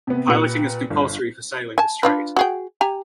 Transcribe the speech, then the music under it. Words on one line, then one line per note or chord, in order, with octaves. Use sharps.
Piloting is compulsory for sailing the strait.
C3 B3
A#2 G4 B4 F#6 C#7
G1
G#5 A5
D4 F4 B4
F#4 G#4 G5
G4 G#5 A#5